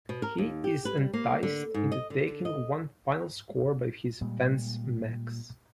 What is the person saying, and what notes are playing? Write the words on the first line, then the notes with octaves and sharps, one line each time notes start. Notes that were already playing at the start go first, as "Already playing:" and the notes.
He is enticed into taking one final score by his fence Max.
B2
A#4
D#2
G4
B4
G3
A#3
D3
G#2
D#5
D3
D#5
A#2 G3 G#3